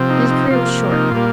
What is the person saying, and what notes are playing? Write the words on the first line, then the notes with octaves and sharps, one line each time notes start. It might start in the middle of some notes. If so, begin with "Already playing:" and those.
His career was short.
Already playing: C3 F3 C4
D#4
D#4
C3 F3 A#3 F4
D#4
A#2 G3 A#3 F4